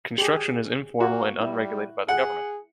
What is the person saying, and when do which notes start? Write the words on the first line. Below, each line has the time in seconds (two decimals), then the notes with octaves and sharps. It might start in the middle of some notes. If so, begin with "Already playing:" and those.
Construction is informal and unregulated by the government.
0.18 G4 G#4
1.00 A#3 F#4
1.41 G3 E4
2.08 G#4 F#5